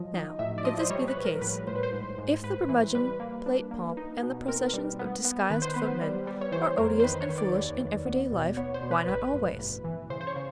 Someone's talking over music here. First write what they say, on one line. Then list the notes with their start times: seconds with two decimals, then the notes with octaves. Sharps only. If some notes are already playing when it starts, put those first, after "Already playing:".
Now, if this be the case; if the Brummagem-plate pomp and the processions of disguised footmen are odious and foolish in everyday life, why not always?
Already playing: F3 F#3 D#5
0.14 D#4
0.39 A2 E5
0.58 D5
0.64 F3 D#5
0.80 C5
0.90 G3 C#5
1.08 B4
1.16 A#1
1.25 A#4
1.41 A2 B4
1.67 A2 C5
1.75 B4
1.83 C5
1.93 G#2
2.18 G#2
2.43 G#2 B4
2.69 E3 B4
2.95 G3 B4
3.20 A#3
3.46 D4
3.71 A#3
3.97 D#4
4.22 B2
4.48 C4 A#4
4.73 G3
4.99 B3
5.25 B3
5.50 D#3 B4
5.62 C5
5.74 B3 B4
6.02 G3
6.27 G3
6.41 C#5
6.52 E3 C5
6.77 F2 A#4
7.00 C5
7.04 D#3 B4
7.21 C#5
7.29 D#3
7.38 D5
7.55 D#2
7.80 D#2
8.06 B3
8.32 B2
8.57 B3 C#5
8.74 C5
8.82 B2
8.91 B4
9.08 A1 B4
9.33 G2
9.59 A1
9.84 E3
10.10 C#3 C5
10.21 C5
10.27 C#5
10.36 C#3